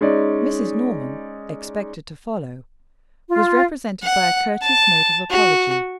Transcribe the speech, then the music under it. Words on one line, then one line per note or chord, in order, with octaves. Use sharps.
Mrs. Norman, expected to follow, was represented by a courteous note of apology.
G#3 C#4 D#4 D5
F4
F#5
A5
F#4